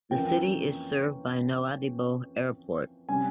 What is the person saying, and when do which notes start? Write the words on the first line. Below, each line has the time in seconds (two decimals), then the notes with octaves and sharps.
The city is served by Nouadhibou Airport.
0.11 F2 E3 A#3 C#4 F4 G5
3.09 C3 G3 C#4 G#5